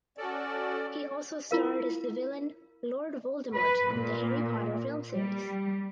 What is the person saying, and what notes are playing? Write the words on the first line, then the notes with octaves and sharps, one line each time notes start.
He also starred as the villain Lord Voldemort in the "Harry Potter film series".
C#4 F#4 A4 D5
E4 F4 A#4 F5
B4
A#2
G3